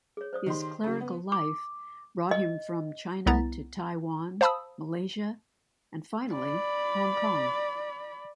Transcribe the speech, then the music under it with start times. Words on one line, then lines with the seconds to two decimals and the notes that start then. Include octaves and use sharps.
His clerical life brought him from China to Taiwan, Malaysia and, finally, Hong Kong.
0.17 G#4 C#5
0.33 C5 D5 D#6
0.46 D#3 G4 C6
0.84 C#3 F#3
1.00 B3
1.32 D6
2.31 D#5
3.26 C2 B3 E4 A#5 A6
4.41 C5 F5 A5 B5 D#6 E6
6.33 D5 B5